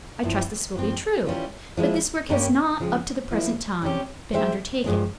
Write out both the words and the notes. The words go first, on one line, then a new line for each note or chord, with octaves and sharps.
I trust this will be true, but this work has not, up to the present time, been undertaken.
G2 F3 C4 E4
G2 F3 C4
E3 G3 C#4 F4
F3 G#3 E4
G2 G3 A#3 C#4 G4
C#3 F3 G#3 C4
F3 A#3 E4
C3 G3 C#4 G4
G#3 C4 G4 C5 E5
G2 F3 G#3 C4